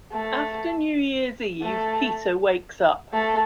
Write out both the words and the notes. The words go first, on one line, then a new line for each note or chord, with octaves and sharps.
After New Year's Eve, Peter wakes up.
A3
A3
A3